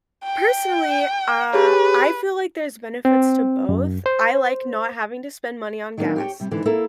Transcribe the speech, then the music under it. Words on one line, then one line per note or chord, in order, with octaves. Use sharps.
Personally, uh, I feel like there's benefits to both. I like not having to spend money on gas,
G5
G4 G#4 B4 C#5
C4
F#2
C5
D#3 F#3 A#3 B3 D4
G4 C#5 G5
C3 G3
G#2 D3 E3
A#3 E4 A4 A#5